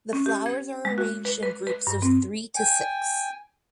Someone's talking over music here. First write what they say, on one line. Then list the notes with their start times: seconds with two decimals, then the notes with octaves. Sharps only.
The flowers are arranged in groups of three to six.
0.13 C#4
0.26 G4
0.46 G#6
0.85 G#3
0.98 F#4
1.25 B4
1.43 B4
1.67 B4
1.87 G2
2.02 C4
2.56 G5 G#5